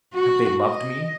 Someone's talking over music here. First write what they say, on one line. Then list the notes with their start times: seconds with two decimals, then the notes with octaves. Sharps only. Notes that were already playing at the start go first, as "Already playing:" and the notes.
Have they loved me?
0.14 F#4
0.65 D#5